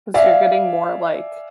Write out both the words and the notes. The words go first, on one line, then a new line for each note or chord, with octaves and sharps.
'Cause you're getting more like,
D5 E5 F5 G#5